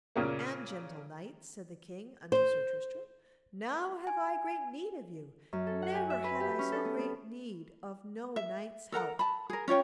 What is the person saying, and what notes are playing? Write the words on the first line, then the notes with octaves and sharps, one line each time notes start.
And, gentle knight, said the king unto Sir Tristram, now have I great need of you, never had I so great need of no knight's help.
A#2 C#3 A#3
C5
G#5
F#2
A4
F#5
G#5
E5
B4
G4
C#4
A4
B3
B3
E5
A4 A#4 F#5 A#5
A5 B5
G#4 A#4
C#4 F4 C#5 G5